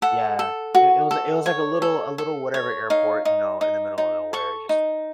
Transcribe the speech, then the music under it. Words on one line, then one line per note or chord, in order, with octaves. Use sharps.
Yeah, it it was, like it was, like, a little a little whatever airport, you know? In the middle of nowhere, just
A4 F#5
A4
F#4
A4
C#5
A4
A4
C#5
D#4 F5
D#4
D#4
D#4
A4 C#6
D#4